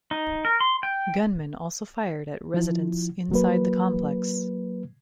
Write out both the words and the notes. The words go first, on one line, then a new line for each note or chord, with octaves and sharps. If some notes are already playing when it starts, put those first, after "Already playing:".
Gunmen also fired at residents inside the complex.
D#4
A#4
C6
G5
F3 E4
F#3 A#3 B4